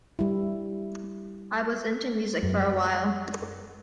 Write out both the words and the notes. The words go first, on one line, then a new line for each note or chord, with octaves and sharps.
I was into music for awhile.
G3 E4
F#2